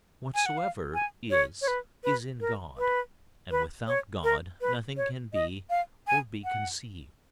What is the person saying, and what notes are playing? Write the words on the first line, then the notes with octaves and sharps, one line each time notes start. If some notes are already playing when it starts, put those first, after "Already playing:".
Whatsoever is, is in God, and without God nothing can be, or be conceived.
G#5
F#5
F5
G#5
C#5
C#5
B4
B4
A#4
B4
B4
C#5
A#4
B4
C#5
D#5
F5
G#5
F#5